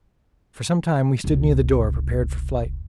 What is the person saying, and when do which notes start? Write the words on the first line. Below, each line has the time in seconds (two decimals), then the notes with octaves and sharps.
For some time we stood near the door, prepared for flight.
1.24 F1 C#2